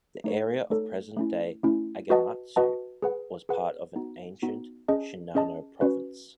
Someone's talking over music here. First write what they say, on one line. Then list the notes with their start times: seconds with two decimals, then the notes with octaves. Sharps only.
The area of present-day Agematsu was part of ancient Shinano Province.
0.24 A3 D#4 A4 C#5
0.70 A3 D#4 A4 C#5
1.17 A3 C#4 E4
1.63 A3 C#4 E4
2.10 F#4 B4 D#5 F#5 A5
2.56 F#4 B4 D#5 F#5 A5
3.02 G#4 B4 F#5
3.49 G#4 B4 F#5
3.96 B3 D#4 F#4
4.42 B3 D#4 F#4
4.88 C#4 G#4 D#5 A5
5.35 C#4 G#4 D#5 A5
5.81 C#4 F#4 B4